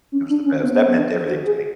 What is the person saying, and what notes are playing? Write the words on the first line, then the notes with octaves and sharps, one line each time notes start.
it was the best. That meant everything to me.
C#4
D4
C#4
B3
B3
D4
F#4
G#4